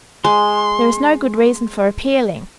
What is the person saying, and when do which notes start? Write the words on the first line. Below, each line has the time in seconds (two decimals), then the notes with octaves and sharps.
There is no good reason for appealing.
0.25 G#3 C6